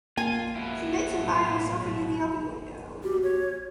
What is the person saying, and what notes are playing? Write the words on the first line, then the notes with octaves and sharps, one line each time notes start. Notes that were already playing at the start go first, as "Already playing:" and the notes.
She makes him lie on a sofa near the open window.
A#3 F4 G#5
B2 E4
A2 F#3
F#4 G4
C#5